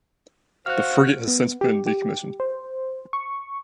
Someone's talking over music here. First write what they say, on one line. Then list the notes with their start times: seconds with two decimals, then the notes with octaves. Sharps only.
The frigate has since been decommissioned.
0.66 F#4 C5 F5 F6 F#6
1.28 B3
1.61 G4
1.86 G4
2.40 C5
3.13 C#6